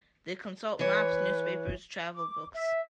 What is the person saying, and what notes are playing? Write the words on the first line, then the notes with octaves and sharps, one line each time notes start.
They consult maps, newspapers, travel books.
E3 B4 C#5
D6
E5